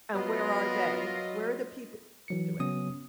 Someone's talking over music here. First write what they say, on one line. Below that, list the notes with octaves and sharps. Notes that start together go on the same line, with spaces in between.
And where are they? Where are the people who do it?
F#3 B3 F4 A#4 B4 D#5
E3 F#3 C#7
C#3 F#3 B3 C#4 D#6